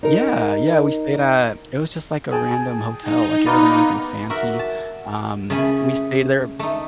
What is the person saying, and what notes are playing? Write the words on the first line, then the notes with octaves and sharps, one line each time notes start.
Yeah, yeah, we stayed at it was just like a random hotel, like, it wasn't anything fancy, um, we stayed there
D#4 A#4
G#4 G5 A5
D#4
A#3 B3 D5
F#4 A#4 E5
A5
C#3 A3 G#5 B5
A3 D#4